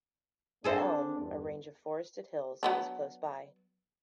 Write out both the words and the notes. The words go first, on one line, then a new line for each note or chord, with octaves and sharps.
The Elm, a range of forested hills, is close by.
A#3 C4 D4 G#4 A4 C5
E2 G2
F#3 B3 D4